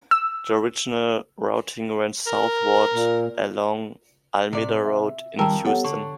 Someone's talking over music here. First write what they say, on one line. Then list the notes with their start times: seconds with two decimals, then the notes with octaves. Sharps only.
The original routing ran southward along Almeda Road in Houston.
0.11 E6
2.27 A#4
2.93 A#2
4.53 A2 C3 D5
4.86 E5
5.39 F2 D#3 G3 A#4 G5 A5 E6
5.65 B3 G4 A4 C#5 F#5
5.84 D3 C#6